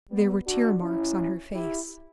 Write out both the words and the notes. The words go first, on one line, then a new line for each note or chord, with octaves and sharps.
There were tear-marks on her face.
G3 B3
D4 F#4
C#4 E4
E4 G4